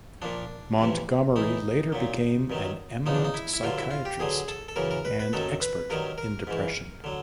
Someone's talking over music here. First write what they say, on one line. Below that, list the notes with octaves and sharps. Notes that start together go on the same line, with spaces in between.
Montgomery later became an eminent psychiatrist and expert in depression.
A#2 F3 D4
F2 C3 E3
A2 E3 D#4
A#2 F#3
G2 D#3 F#3
E2 C#3 F3 D#4
D4
D#4
E4
E4
G2 D3 F#3 F4
E4
F4
G4
G2 D3 F#3 G#4
A4
A4
F#2 C#3 E3 A#4
A#4
B4
B4
F#2 D#3 F#3 A4
B4
G2 D#3 F#3 A#4
A#4
G#2 E3
D3 F#3